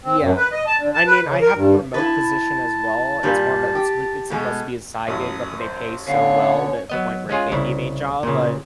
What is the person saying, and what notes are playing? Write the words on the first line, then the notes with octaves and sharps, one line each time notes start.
Yeah. I mean, I have a remote position as well, it's more of a it's s it's supposed to be a side gig, but they pay so well that the point where it can be a main job but,
C4
F#2
B4
D#5
A5
D3
A5
B4
C#3
A#4
G2
E4 B4 A5
G2 A#2 G3
G4
B2 G#3 A3
A1 F#2 D#6
C5
D3 B3 C#4 C#5 F5
F#3 B3 D#5
G#3 C#4 F4 G#4
C2 C#3 E4
A#2 C#3